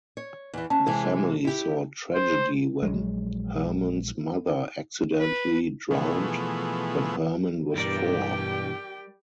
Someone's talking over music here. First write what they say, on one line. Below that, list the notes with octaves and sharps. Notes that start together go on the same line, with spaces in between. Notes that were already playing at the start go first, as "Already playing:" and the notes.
The family saw tragedy when Hermon's mother accidentally drowned when Hermon was four.
C#5
E2 E3
C#4 A5
C3 E3 G#3
E4 G4
C5
A#1 F#3 G#3
B4
B2 E3 F3 A3 B3 G#4
G2 B2 E3 G3 G4 A#4 D5 G5